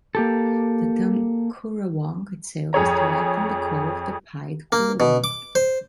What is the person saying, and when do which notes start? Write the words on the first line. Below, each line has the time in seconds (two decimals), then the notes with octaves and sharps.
The term "currawong" itself is derived from the call of the pied currawong.
0.15 A#3 G4 A4
2.73 F2 G#4 C#5 A#5
4.72 A#3
5.00 B2
5.24 D6
5.55 C5